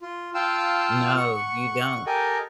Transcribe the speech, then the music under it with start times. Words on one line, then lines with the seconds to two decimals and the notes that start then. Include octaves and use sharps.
No, you don't.
0.01 F4
0.34 F4 F5 G5 A5 E6
1.17 F#5 C#6
2.06 G4 A4 A#4 D#5 G5 G#5